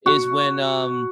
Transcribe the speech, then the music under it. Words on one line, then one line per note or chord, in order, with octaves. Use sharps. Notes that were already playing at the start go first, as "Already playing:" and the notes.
is when, um
F#4